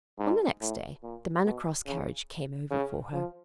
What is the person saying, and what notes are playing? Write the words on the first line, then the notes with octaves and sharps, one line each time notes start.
On the next day the Manor Cross carriage came over for her.
G#2
A2
A#2
B2
C#3
C#3
F3